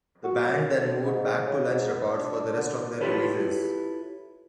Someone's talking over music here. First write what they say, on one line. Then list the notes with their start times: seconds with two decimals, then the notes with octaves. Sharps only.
The band then moved back to Lunch Records for the rest of their releases.
0.24 F#4
0.45 F#2
0.75 D3
1.04 G#2
1.47 C#3
1.69 G#2
1.91 B3
2.09 D4
2.57 D3
3.01 E4 F4 G4 A4 B4 C#5